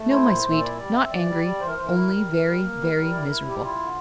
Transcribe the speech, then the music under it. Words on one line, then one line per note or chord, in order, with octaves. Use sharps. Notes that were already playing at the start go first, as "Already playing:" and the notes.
"No, my sweet--not angry--only very, very miserable!"
Already playing: A3
E4 C5
A#2
A#2
E5
E4 D5
E5
G3 D5
C4 E5
E3 D5
G3
G3
E3 C5
A#4
E3 C5
A#4
E4
G3
E3
G3
A#3
G3
G3
E4 D5
E4 A#4
G3 G4
E4 F4
D3